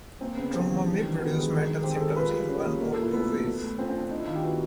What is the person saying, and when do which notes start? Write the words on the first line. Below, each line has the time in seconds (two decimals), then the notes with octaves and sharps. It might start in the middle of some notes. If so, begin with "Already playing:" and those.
Trauma may produce mental symptoms in one of two ways.
0.21 A#3 C4
0.37 C#3 B3
0.53 G3 C4
0.70 E3
0.85 D4
1.02 D#3
1.19 B3 F#4
1.35 G#3
1.51 D#3
1.67 D#3
1.83 C4 G4
1.92 G#4
2.00 G#3 A4
2.08 A#4
2.16 F4 B4
2.33 G3
2.49 C#4
2.65 A#3
2.81 A#2 A#4
2.92 A#2 A4
3.02 E4
3.13 A3 B3
3.30 F#3
3.46 A4
3.62 A3
3.78 C4 F4
3.89 C4
3.95 D4
4.11 D4 D#4
4.19 E4
4.27 D#3 F4
4.35 G4
4.43 B3 F#4